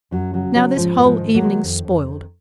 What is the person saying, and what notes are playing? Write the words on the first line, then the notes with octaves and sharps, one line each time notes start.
Now this whole evening's spoiled.
F#2 F#3
C#3 F#3
C#3 F#3
G#2 F3 G#3
G#2 A#3
F3 G#3
D#3
F#3 A#3
D#3
F2
F2
D#3